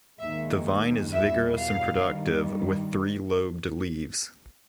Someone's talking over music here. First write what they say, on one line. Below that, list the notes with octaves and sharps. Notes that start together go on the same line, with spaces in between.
The vine is vigorous and productive, with three-lobed leaves.
D#2 D#3 G#3 E5
E2 B2 G3 E5
F5
G2 D#3 G3